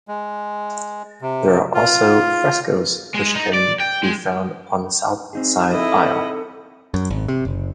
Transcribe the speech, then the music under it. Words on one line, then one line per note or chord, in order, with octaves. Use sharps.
There are also the frescoes which can be found on the south side aisle.
G#3
C3
F4
G#3
D#4
D5
G5
G#3
C4 D#4 G#4
E4 A4 D#5
F#2
G#1
C3
F#1